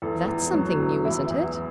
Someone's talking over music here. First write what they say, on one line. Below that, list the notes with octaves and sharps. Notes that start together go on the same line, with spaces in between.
'That's something new, isn't it?'
E2 A4
E2
F#3
E2
E3 E4
E2